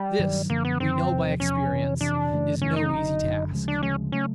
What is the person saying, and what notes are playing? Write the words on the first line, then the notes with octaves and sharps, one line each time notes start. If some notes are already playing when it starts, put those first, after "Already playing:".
This, we know by experience, is no easy task.
Already playing: G3
G2 D#3 F#3
F#2 D3 F3 A#3
B3
F#2 D3 F3 C4
E2 C3 F3
E2 C3 F3 C#4
F2 C3 E3
F2 C3 E3 D4
F#2 C#3 E3 A3
F#2 C#3 E3 A3 C#4
D#4
F#1 F#2 D3
F#1 F#2 D3
D2 C#3 F3 G#3
D4
D2 C#3 F3 G#3 C#4
C#3 F#3 A3 C#4